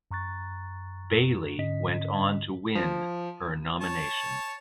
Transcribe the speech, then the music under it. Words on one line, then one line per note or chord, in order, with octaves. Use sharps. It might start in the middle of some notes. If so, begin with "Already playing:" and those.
Bailey went on to win her nomination.
F#2 A#5 C#6 F#6 A6
G#2 D3 C#4 D#5 B6
F3
C#5 A5